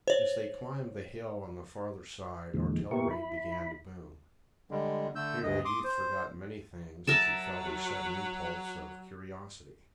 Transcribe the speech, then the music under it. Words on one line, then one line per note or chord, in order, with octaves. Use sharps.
As they climbed the hill on the farther side artillery began to boom. Here the youth forgot many things as he felt a sudden impulse of curiosity.
C5 C#5
E2 A#2 D3 E3 G#3
A#2 B3 E4 G4 A#4 C#6
E4 B5
D3 G3 G#3
D3 A3 E6 G6
D2 G2 D#5
C6 D6 D#6
C5
F#3 A#4 E5 A5